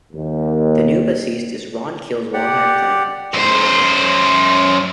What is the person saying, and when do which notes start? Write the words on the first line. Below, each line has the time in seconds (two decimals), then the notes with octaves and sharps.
The new bassist is Ron Keel's longtime friend, Geno Arce.
0.12 D#2
2.33 G4 D5 F#5
3.34 F#2 C5